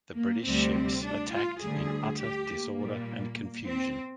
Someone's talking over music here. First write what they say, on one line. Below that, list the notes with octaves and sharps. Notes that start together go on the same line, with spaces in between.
The British ships attacked in utter disorder and confusion.
A#3
D2 C3 G3 C4
D4
F4
D2 D3 G3 G#4
G4
A#3
A#2 G3
C4